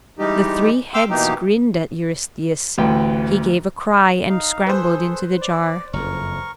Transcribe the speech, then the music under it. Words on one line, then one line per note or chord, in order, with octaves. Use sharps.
The three heads grinned at Eurystheus; he gave a cry and scrambled into the jar.
E3 G3 G#3 D#4 G4
E5 G5 C6 D6 E6 F6
B2 E3 A#3 D#4 G4
A1 D2 B4 G5
D#4 F5
G#4 A4 B4 C5
D5
F#1 F2 A#4 C#6